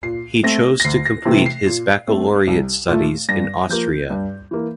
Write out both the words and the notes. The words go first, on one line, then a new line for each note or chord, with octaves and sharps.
He chose to complete his baccalaureate studies in Austria.
A#2 C7
A3 C4 A#6
A#6
D2 C7
A#6
C3 E3 A3
C7
A#2
A3 C4
C2
A#2 A3
G2 A#6
F3 A#3 G6
G2
E3 A#3